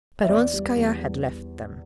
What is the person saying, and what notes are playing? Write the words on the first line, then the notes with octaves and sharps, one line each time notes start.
Peronskaya had left them.
E5
E2 D5
G3
E2
G3